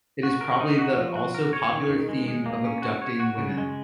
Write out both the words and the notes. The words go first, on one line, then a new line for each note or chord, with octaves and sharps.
It is probably the also popular theme of abducting women.
F#4
A#4
D#4
F#4
F3
F#4
A#4
C#5
D#3
D#3
G#3
G#3
A#3
C#4
F#4
C#5
F#4
C#3
G#3